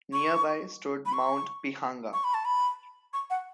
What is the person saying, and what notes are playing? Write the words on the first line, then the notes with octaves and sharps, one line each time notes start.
Nearby stood Mount Pihanga.
C#6
B5
C#6
C#6
B5
A5
B5
C#6
F#5